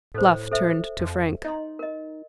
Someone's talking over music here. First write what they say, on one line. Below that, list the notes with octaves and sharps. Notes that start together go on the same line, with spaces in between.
Bluff turned to Frank.
A2 A4 C5
A4 C5 E5
F2
D#4 D#5 C6
A#4 D#5